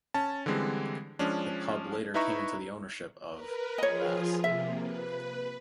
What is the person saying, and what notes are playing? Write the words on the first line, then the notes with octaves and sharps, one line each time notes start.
The pub later came into the ownership of Bass.
C#4 A5
D3 E3 G3 G#3 C4
F3 G#3 C#4 D4
D#4 E4 B4 E5 A#5 C#6
A#4 B4
F3 F4 G#4 C#5 D#5
C3 A#3 E5
B4